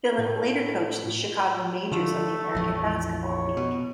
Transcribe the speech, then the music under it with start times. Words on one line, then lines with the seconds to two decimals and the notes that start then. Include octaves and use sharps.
Phillip later coached the Chicago Majors of the American Basketball League.
0.18 A2
1.92 D3 F3 A3
2.55 A#1 F2 E3
3.24 C#5
3.57 B2